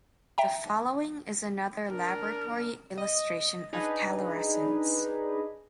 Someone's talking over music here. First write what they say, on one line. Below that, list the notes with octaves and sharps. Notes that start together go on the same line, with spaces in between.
The following is another laboratory illustration of calorescence.
E5 G5 A#5
D4 A#4
D#5
D4 D#4 G#4 B4